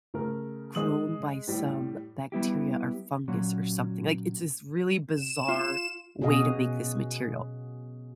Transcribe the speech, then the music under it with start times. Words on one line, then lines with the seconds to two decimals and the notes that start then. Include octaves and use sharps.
grown by some bacteria or fungus or something, like, it's this really bizarre way to make this material,
0.14 C#3 A3 A#4
0.75 G#3 D#6 F#7
1.48 A2 G3
2.32 G3 B3 E4 G4
3.28 A#2 F#3 C#4 F#4
5.09 E7
5.48 F4
6.21 B2 C#4 F#4 G#4 D#5 F5